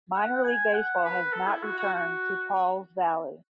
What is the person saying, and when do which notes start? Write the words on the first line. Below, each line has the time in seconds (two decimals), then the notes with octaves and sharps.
Minor league baseball has not returned to Pauls Valley.
0.14 F#5
0.44 G#5
0.73 F#5
1.04 B4
1.33 A4
1.48 E4
1.63 F#4
1.79 F#4
1.94 F#4